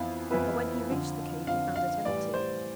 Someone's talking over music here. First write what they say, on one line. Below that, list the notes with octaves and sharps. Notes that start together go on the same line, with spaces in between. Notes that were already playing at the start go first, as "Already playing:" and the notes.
But when he reached the cave he found it empty.
Already playing: F2 E3 B3 E4 B4 F5
F2 E3 B3 E4 B4
F2 D3 F3
F2 D3 F3 F5
F5
A2 E3 G3 D5
C5